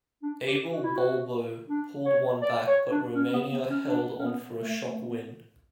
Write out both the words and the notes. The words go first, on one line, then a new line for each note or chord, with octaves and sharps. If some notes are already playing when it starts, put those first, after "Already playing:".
Abel Balbo pulled one back, but Romania held on for a shock win.
D4
G4
F#4
E4
F#4
D4
C#5
D5
C#5
D4
C#4
B3
B3
C#4
D4
C#4
B3
A3
A3
B3